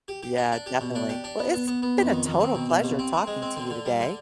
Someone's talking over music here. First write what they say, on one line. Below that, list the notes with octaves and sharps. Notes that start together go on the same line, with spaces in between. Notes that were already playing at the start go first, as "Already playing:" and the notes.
Yeah, definitely. Well, it's been a total pleasure talking to you today,
G4
G4
D4
D4
G4
B2
D4
G4
D4
B3
B3
B3
B3
F2
D#3
D#3
C4
B2
B2
C2
C4
C4
G#3
C4
D3
D3
G3
D3